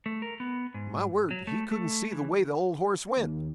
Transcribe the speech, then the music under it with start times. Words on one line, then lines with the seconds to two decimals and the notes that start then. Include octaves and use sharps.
My word, he couldn't see the way the old horse went.
0.06 A3
0.22 A#4
0.40 B3
0.74 G#2
1.31 F#3
1.47 A3
1.71 A3
2.13 E3
3.16 D#2